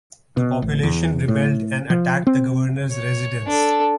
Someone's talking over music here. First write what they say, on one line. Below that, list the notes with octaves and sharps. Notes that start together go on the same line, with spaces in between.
The population rebelled and attacked the governor's residence.
B2
A1
E2
A2
F3
C4
C#5
D4 A4